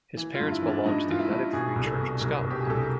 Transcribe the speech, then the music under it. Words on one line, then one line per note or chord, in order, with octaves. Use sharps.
His parents belonged to the United Free Church of Scotland.
E3
F4
G2
E4
E3
D4
G2 D#4
E3 F4
E4
G2
B2 G#4
C2
A4
B2
C2 A#4
B2
G4
G#4
C2 A4
A#4